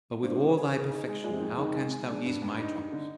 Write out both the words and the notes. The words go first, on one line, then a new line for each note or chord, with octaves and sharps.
But with all thy perfection how canst thou ease my troubles?
G2 C5
C5
G#4
G#4
D#4
G#3
A#2 G#3
C3
F2 D#3
D#3 G#3
G#3
G#3
D4
G2
G2
D#4
D#4
D3